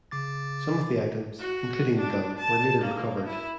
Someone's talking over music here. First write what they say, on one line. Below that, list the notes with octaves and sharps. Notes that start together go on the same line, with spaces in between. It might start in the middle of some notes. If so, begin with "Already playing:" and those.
Some of the items, including the gun, were later recovered.
C#3 D6 A6
F#4
D4
A5
A#3
E4